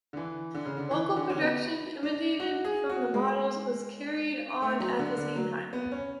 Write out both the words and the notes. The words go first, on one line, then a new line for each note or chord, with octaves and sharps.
Local production, imitated from the models, was carried on at the same time.
D3
E3
D3
C#3
D3
E3
D3
C#4
B3
D4
F#4
G#4
F#4
G#3
A3
F#3
D3
D3
F#3
B3
C#4